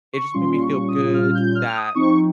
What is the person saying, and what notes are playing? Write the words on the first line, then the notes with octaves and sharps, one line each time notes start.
it just made me feel good that
C#6
A#2 G3 C#4 F4 C6
C#6
D#6
F6
G6
F6
D#6
F3 C4 D#4 C#6